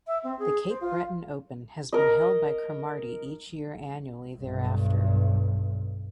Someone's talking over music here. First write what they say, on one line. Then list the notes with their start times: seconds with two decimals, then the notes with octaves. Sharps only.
The Cape Breton Open has been held by Cromarty each year annually thereafter.
0.07 E5
0.24 C4
0.39 G#4
0.68 C5
0.81 F4
1.92 A#4 D#5
4.38 B1 G2